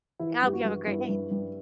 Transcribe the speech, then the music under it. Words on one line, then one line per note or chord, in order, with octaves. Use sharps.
I hope you have a great day.
E3 E4
G2 G4
F#4
G2
G2 E4
G2
G2